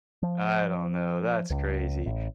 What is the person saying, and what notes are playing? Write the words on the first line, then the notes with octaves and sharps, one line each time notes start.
I don't know, that's crazy.
F3
C#2
A1